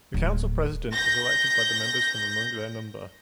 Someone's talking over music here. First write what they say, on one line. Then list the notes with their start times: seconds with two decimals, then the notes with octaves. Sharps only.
The council president is elected by the members from among their number.
0.14 D1
0.92 G6 A#6